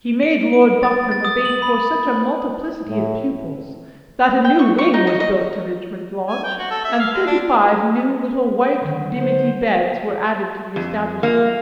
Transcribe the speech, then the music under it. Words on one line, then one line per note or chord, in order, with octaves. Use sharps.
He made Lord Buckram a bait for such a multiplicity of pupils, that a new wing was built to Richmond Lodge, and thirty-five new little white dimity beds were added to the establishment.
D7
D7
A6
A6
D#6
F#7
B5
A2
G5
C#6
C#6
D#4
D#5
D#5
G#5
G5
F#4
A4
E5
F5
G#3
D4
D3 D#3 F#3
C5
F2
A#3